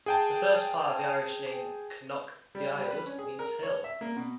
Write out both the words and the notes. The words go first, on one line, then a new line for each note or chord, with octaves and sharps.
The first part of the Irish name "Cnoc Daod" means "hill".
G#4 G5 A5
G3
G3
B4
C#4
G#4
A#4
C#5
E5
A#3
B2